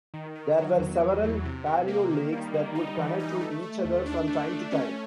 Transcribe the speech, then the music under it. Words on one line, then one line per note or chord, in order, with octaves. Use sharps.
There were several paleo-lakes that would connect with each other from time to time.
D#3
D#3
F#3
E2
E2
E3
C3
C3
A#3
D#3
G3
G3
D#4
E3
D#4
A3
A3
D#2
D4
A3
A3
C#4